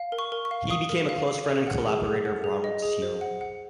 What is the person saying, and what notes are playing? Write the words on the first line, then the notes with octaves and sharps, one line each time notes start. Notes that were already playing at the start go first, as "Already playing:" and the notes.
He became a close friend and collaborator of Ronald Searle.
Already playing: F5
A#4
C#6
A#4
C#6
F5
F5 D#6
A#4
F5
F5
G#4
F#5
G#4
G#4
F#5
G#4
D#5
G#4
C5
F#5
F#5